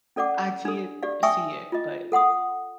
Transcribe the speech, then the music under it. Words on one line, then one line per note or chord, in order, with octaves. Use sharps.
I did see it but
C#4 A4 D5 F#5 D6
D4 A4
G4 D5 F5
E5 G5 G#5 C#6 D#6 E6
F4 D#5
A4 F#5 C6 D#6